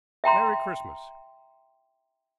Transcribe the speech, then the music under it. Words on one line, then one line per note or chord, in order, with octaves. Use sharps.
Merry Christmas!'
E5 G5 A#5 C6